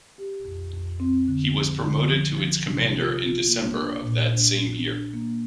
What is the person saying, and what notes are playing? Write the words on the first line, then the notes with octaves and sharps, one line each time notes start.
He was promoted to its commander in December of that same year.
G4
F2
F2
C4
D3
F3
D3
F3
F3
C3
F4
F4
A#3
D4
A#2
D4
D4
D4
A#3